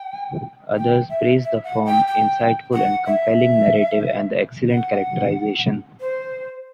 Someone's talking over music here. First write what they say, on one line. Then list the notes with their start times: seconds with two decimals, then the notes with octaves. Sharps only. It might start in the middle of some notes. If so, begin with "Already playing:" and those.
Others praised the firm, insightful and compelling narrative, and the excellent characterization.
Already playing: G5
0.77 G5
1.09 E5
1.43 E5
1.64 F#5
1.86 G5
2.08 G5
2.73 F#5
3.06 E5
4.69 F#5
6.00 C5